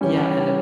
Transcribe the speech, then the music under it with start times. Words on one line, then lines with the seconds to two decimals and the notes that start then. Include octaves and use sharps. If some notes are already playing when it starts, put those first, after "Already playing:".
Yeah, and the
0.01 E3 G3 C#4